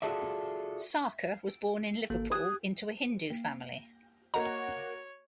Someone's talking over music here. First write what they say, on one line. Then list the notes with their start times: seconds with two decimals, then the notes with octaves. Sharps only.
Sarker was born in Liverpool into a Hindu family.
0.02 F4 F#4 G#4 A4 D5 E5
2.10 G#1 A#3 A4
2.32 G4 D#6 F#6 G#6
3.30 A#3
4.34 A#3 F#4 C#5 D#5 A#5